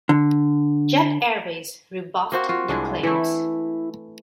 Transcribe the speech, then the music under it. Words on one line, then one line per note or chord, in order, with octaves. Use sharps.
Jet Airways rebuffed the claims.
D3
A#3 C4 F#4
F4 F#4
C2 G#3 D4 E4
E3 A3 E4